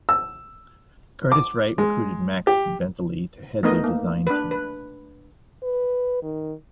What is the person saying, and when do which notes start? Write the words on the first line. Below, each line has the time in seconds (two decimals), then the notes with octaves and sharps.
Curtiss-Wright recruited Max Bentele to head their design team.
0.09 E6
1.32 D6
1.78 G#3
2.47 G4
3.63 A3 B3 D#4 A#4 D#5
3.84 A#3
4.27 D4 B4
4.51 B4
5.63 B4
6.23 D#3